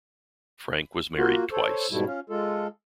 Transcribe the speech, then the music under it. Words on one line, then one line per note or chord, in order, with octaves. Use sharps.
Frank was married twice.
A#3 F4 F#4
A4 C5 C#5
G#2 B2 G3 A3 E4
C#4 F4
G#3 F4 A4